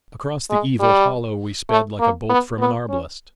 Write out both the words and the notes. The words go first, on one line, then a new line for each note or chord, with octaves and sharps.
Across the evil hollow we sped like a bolt from an arblast.
G#3
G3
A3
A#3
B3
B3
C#4